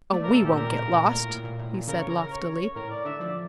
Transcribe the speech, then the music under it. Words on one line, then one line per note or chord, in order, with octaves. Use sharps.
"Oh, we won't get lost!" he said loftily.
A3 D5
A#4
C#3
A4
A#2 G4
A#2 A#4
A2
A#2
A#2
A2
A2
A#2
A2
A#2
C#3 A#4
C#5
A#4
A#4
C#5
C#5
A2 A#4
D5
D3 E5
F3 D5